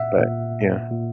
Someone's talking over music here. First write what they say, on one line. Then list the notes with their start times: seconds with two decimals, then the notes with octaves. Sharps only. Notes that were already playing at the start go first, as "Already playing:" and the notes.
But, yeah.
Already playing: A#2 E5 F#5
0.18 A#2
0.91 A#2